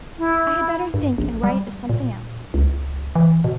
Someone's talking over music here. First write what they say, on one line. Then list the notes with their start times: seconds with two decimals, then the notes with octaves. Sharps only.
I had better think and write of something else.
0.18 E4
0.94 G2
1.18 A#1
1.44 G3
1.89 A#2
2.54 C#2
3.15 E3
3.44 B2